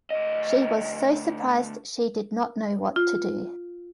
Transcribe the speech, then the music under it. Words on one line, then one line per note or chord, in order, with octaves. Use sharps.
She was so surprised she did not know what to do.
D2 D#5
F4